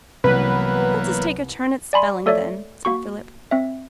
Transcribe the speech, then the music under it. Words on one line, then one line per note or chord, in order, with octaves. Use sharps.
'Let us take a turn at spelling, then,' said Philip.
C2 E3 F#3 A#3 B3 B4
D5 G#5 B5 C6
A3 A4 C#5 D5 E5
A#3 F#4 C#6
C4 E5